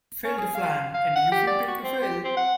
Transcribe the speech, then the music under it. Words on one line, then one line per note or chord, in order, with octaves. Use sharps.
Fail to plan, and you Prepare to fail.
C#4
G#4
F5
F5
F#5
G4
D5
F#4
C4
G4
C4
F#5